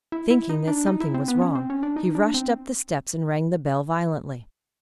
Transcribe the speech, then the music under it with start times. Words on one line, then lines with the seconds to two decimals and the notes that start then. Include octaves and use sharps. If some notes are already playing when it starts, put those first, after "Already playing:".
Thinking that something was wrong, he rushed up the steps and rang the bell violently.
0.12 E4
0.30 E4
0.49 D#4
0.67 D4
0.86 D#4
1.01 E4
1.14 C4
1.28 B3
1.42 C#4
1.55 C4
1.70 C#4
1.83 D4
1.96 D#4
2.15 D4
2.34 C4